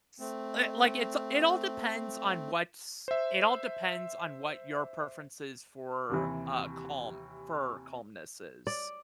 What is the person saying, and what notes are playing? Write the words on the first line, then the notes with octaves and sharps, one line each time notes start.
s uh, like it's, uh it all depends on what's it all depends on what your preference is for, uh, calm for calmness is.
A3 C4
C5 E5
D#2 C3 E3
D5